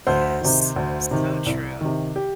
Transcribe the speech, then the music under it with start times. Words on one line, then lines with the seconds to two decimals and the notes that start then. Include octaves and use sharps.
Yes, so true.
0.07 D2 C5
0.41 C3 D#3
0.76 D2
1.11 C3 D#3
1.46 C2
1.81 C3 D#3
2.16 G4